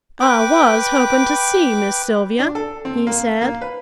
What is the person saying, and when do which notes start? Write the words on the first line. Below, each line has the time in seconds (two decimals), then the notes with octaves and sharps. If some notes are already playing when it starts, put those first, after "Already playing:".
"I was hoping to see Miss Sylvia," he said.
0.20 B4 G5 D6
2.39 D4
2.55 A4
2.85 C4
3.07 A#3
3.41 A#3
3.61 B4